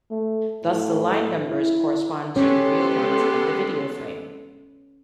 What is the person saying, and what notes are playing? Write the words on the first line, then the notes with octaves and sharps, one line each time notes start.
Thus the line numbers correspond to the real lines of the video frame.
A3
A2
E4
G#3 B3 C#4 G4 A4 C#5 C6